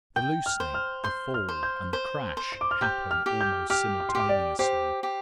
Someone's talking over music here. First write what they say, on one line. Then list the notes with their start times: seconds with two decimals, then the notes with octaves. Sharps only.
The loosening, the fall, and the crash happen almost simultaneously.
0.16 G5 G6
0.46 F6
0.60 C5
0.74 F6
1.04 C6 G6
1.34 F6
1.49 C5
1.63 G6
1.93 C5
2.37 C5
2.52 C6
2.61 D6
2.71 F6
2.81 G4 G6
3.11 F6
3.26 G4
3.41 G6
3.70 G4 F6
4.00 D6
4.09 C6
4.15 G4 D6
4.29 D5
4.59 G4 C5
5.03 G4